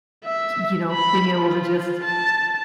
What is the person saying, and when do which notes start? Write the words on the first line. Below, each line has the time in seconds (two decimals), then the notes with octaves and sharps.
y you know, being able to just
0.25 E5
0.92 B5
1.39 F4
2.04 A5